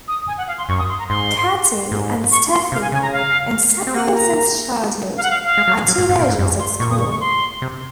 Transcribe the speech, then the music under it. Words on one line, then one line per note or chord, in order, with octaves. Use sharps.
Kati and Steffi, inseparable since childhood, are teenagers at school.
D#6
G#5
F#5
F5
C6
F#2 C#6
D#6
C6
A#5
G#2 C6
G#2
C#6
C6
C3 F5
G#5
C#3 G#5
A#5
F5
C4
A#3 F#5
A#5
F5
F#5
F5
F5
G#3
F#3
G#3
F#3
G#2
G#2
A#2
G#2
F#2
C6
A#2 C#6
D#6
C#6
C#6
C6
C3